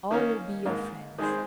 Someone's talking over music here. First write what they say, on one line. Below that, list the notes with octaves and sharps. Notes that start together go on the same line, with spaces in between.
All will be your friends.
D#3 A#3 C#4
G#2 D#3 A#3
D#3 G#3 D#4 G#4 C5